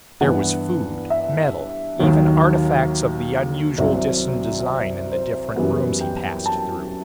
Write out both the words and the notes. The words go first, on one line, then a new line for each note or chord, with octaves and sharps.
There was food, metal, even artifacts of the unusual Disan design in the different rooms he passed through.
G2 E3 B3 F#5
E5
D#2 D#3 F#3
C2 C3 F#3 C5
C5
F#2 E3 G3 B3
G5
A5